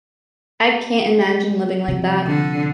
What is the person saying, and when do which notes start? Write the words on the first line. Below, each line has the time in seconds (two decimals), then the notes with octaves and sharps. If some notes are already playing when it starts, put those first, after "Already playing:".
I can't imagine living like that.
1.88 C3 F3
2.26 D3